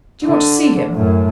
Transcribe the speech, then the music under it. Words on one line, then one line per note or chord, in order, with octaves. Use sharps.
Do you want to see him?
D3
F#2 A2